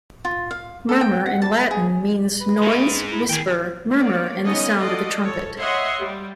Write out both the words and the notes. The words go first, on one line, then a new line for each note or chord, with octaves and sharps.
'Murmur' in Latin means noise, whisper, murmur, and the sound of the trumpet.
F4
F5
A4
G5
F#5
A5
G#4
B4
G#3 D#4
E4
D#3 G#4 G5
A#3 C#5 D5
D3 B3 C#4 D#4 C#5 D#5
F4 F#4 A4 D5 D#5
A4 C#5
C#5 D#5 E5 F#5 C6
G3